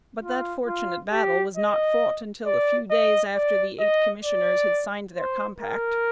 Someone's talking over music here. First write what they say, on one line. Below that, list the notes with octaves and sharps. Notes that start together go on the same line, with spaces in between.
But that fortunate battle was not fought until a few days after the eight Commissioners had signed their compact.
F4
F4
G4
D#5
D5
D#5
D5
D#5
D5
C5
A#4